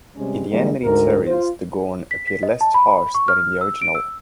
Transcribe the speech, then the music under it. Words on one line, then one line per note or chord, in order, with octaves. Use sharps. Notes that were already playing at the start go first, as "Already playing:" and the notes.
In the animated series, the Gorn appeared less harsh than in the original.
C3 G3 G#3 C#4
D3 E3 G3 G#3 A#3 B3
D2 G#2 A#4
F4 C5
B6
B6
D#5
A5
B5
B5
C#6
F6
E6
D7
E6